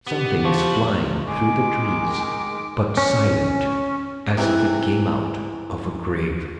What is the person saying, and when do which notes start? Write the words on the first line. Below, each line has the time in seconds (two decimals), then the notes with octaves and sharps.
Something is flying through the trees, but silent as if it came out of a grave.
0.07 B3 G4
0.45 F3 A3 F#4
1.27 D#3 G#3 G#5 D6
2.97 C#4
4.37 C3 E3